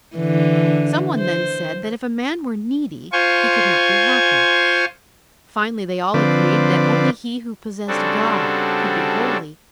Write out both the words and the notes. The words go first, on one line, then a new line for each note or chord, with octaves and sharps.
Someone then said that if a man were needy he could not be happy. Finally they all agreed that only he who possessed God could be wholly happy.
D3 E3
C5
F4 C5 G#5 C#6
D3 F3 C4 B4 D5
C#3 G3 C4 D4 F#4 A4